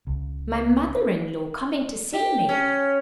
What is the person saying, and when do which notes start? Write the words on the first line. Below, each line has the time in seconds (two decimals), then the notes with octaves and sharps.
My mother-in-law coming to see me!
0.07 C#2
2.13 G4
2.49 C#4